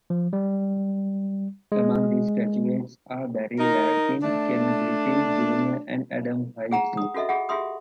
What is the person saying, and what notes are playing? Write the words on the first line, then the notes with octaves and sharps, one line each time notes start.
Among these graduates are Barry Larkin, Ken Griffey, Junior and Adam Hyzdu.
F3
G3
G#3
D#4 A#4
A3 D4
G#4 F#5 A#5
D#6
F4 F#4 A4 D#5 E5
F4 G#4 F#5
F4 G4 G#4 E5 C6 D#6